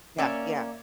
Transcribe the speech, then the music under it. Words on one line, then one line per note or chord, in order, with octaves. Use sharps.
Yeah, yeah.
A#3 C#4 D5 E5 D6